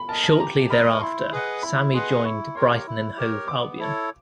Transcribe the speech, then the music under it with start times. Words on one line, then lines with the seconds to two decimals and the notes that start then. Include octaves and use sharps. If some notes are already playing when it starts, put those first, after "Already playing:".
Shortly thereafter Sammy joined Brighton and Hove Albion.
Already playing: B5
0.08 A#4 D#5 A5
0.23 A5
0.40 G4 A#5
0.70 A#4 D#5 B5
0.94 C#6
1.01 E4 C6
1.32 G#4 B4 D#5 F#5
1.63 E4 B5
1.93 G#4 B4 D#5 F#5 C6
2.25 E4 C#6
2.55 G4 A#4 C#5 C6
2.87 E4
3.17 G4 A#4 C#5
3.48 B3 D6
3.79 E4 A4 C#5